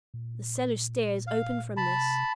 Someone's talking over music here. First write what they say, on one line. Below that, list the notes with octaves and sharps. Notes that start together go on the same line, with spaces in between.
The cellar stairs opened from this.
A#2
F5
C3 A5 B5